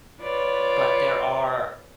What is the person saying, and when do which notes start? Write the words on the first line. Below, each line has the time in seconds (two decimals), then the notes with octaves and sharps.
But there are
0.21 F4 B4 C#5 D5